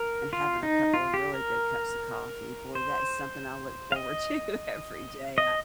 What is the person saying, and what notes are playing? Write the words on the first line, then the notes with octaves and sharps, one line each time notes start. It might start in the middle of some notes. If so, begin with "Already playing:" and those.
and having a couple of really good cups of coffee. Boy, that is something I look forward to every day. I
Already playing: A#4
F4
D#4
F4
G4
A#4
C5
F5
D#5
D#5